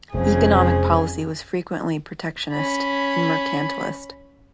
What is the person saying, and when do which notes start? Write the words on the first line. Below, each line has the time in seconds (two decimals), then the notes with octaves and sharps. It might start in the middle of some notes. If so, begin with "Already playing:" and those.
Economic policy was frequently protectionist and mercantilist.
0.14 F1 F2 C#3 G#3 G#4 C5
2.53 C#4 B5